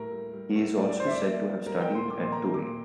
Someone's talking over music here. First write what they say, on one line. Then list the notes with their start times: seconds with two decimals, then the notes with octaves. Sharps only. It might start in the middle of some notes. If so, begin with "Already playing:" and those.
He is also said to have studied at Douay.
Already playing: A2 G3 A#3 A#4
0.11 G3
0.33 G3
0.56 A2
0.78 A2 D5
0.89 D5
1.00 G3 C5
1.06 E5
1.11 D5
1.22 A#3 D5
1.44 G3
1.66 G3 A#4
1.81 G5
1.88 A#2
1.95 C6
2.10 A#2 D6
2.21 C6
2.32 A#3 A#5
2.43 A#5
2.54 A#2 D6